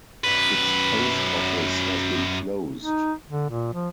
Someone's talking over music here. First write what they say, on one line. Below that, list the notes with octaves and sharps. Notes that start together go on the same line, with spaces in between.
Its post office has been closed.
F#2 B4
D#4
D3
A#2
F3